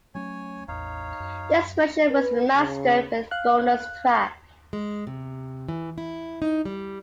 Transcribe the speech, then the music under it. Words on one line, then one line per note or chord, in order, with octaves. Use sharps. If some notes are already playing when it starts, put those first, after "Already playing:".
This version was remastered with bonus tracks.
F#3 A3 C#4 C#5 G#5
A1 E2 D#4 C#5 F5
F#2
B4
C#3
F5 F#6
G#3
C3
E3
E4
D#4
G3